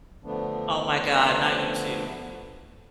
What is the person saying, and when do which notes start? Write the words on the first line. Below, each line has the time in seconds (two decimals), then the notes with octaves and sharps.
Oh, my God, not you, too.
0.24 D3 F3 A3 B3 D4